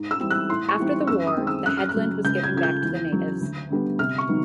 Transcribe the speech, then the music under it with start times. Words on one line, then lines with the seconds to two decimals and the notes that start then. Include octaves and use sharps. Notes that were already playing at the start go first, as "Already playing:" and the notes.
After the war, the headland was given back to the natives.
Already playing: G#2
0.11 E6
0.20 E3 G3 C4
0.31 F#6
0.50 A2 C6
0.69 C#6
0.79 E3 G3 C4 D#4
1.07 F#2 E6
1.27 D#6
1.37 D#3 G#3 C4
1.47 E6
1.66 F#2 F#6
1.77 F6
1.89 F#6
1.96 C#3 F#3
2.25 C#2 G6
2.44 G#6
2.54 C#3 F3 G#6
2.63 G6
2.83 E2
3.12 C#3 F#3
3.41 D2
3.70 D3 G3 B3
3.99 C3 F6
4.18 C#6
4.28 D#3 F#3 B3 D#4